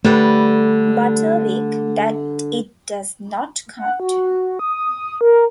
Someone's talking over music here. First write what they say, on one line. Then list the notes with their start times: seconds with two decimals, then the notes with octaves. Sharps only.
Butterwick that it does not count.
0.05 D3 G3 A3 B4
3.77 F#5
4.00 F#4
4.59 D#6
5.21 A#4